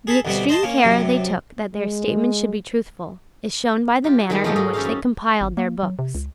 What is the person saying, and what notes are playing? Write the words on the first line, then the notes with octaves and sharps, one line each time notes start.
The extreme care they took that their statements should be truthful is shown by the manner in which they compiled their books.
G#4 A4 B5
D2 B2 G3 C4
C5 D#5 A5 C6
A#3 C#4
F#2 C3
G#3
F4 G4
D#3 G3 G#3 D#4 G#4
F3 F#3 A3 F4 G4 D#5
G#2 F#3 F#4 G#4 D#5
C#4 G4 A4 C5 D#5 F5
F#2
G#1
A#3
F#3
C3
C#2